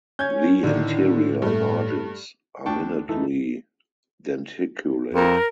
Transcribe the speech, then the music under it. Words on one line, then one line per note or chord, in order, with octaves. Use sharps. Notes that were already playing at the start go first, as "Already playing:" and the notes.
The interior margins are minutely denticulate.
C#4 G6 G#6
A2 D3 D#3 D4
G2 A3
D2 D4 G5 A5 C#6
E3 A3 D#4 A4
F2 A#4